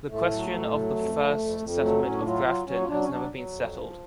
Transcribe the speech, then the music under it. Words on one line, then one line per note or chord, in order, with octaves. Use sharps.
The question of the first settlement of Grafton has never been settled.
A2 A3
F#3
A2
F#3
F2
F2
F2
F2
F#3 A3
A2 C#4
D4
F#3 F4
F#3 F4
F#3 C#4
F4
F#3 D4
C#4
F#3 D4
F#3
F2
F3